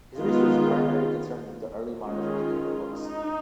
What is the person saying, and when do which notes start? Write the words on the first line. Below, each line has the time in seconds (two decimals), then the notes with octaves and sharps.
His research is primarily concerned with the early modern French emblem books.
0.18 D#3 G#3 B3 F4
2.04 D#3 G#3 C#4 F4
2.97 D#4